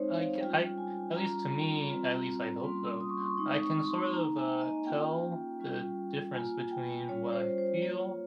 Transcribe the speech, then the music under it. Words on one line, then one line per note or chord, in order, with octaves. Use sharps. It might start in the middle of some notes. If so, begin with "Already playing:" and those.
I c I at least to me at least I hope so, I can sort of, uh, tell the difference between what I feel,
Already playing: G#3 C4 D#4 C5 C#5
F5
G3 C#4 F4 G5
G#5
G3 C#4 F4 A#5
G3 C4 F4
G3 A#3 C#4 F4 C6
D#6
C#6
C6
C#6
G#3 C4 D#4 D#6
C#6
C6
A#3 D#4 A#5
G#5
D#5
A#3 C#4 F4 G5
G3 C#4 F4
A#3 F4 G#5
G5
G3 C#4 F4 C#5
C5
C5
A#3 F4 C#5